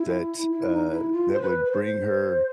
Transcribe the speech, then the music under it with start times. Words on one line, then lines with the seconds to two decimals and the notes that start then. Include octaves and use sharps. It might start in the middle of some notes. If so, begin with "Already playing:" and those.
that, uh, that would bring her,
Already playing: E4
0.51 E4
0.71 D#4
0.91 E4
1.12 F4
1.32 C5
1.41 B4
1.65 B4
1.71 C5